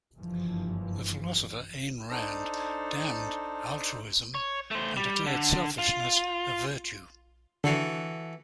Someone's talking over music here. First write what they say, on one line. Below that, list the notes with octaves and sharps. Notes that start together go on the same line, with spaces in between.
The philosopher Ayn Rand damned "altruism" and declared selfishness a virtue.
F#1 G2 E3 F3
D4 D#4 A4 C5
C#5
A3 C5
G3
D3
F4
D3 E3 F#4 A4 C7